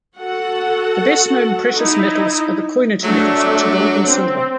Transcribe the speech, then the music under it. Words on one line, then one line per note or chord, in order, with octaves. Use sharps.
The best known precious metals are the coinage metals, which are gold and silver.
F#4 A4 F#5
D#4 E4
F#3 A3 D4 E5
C4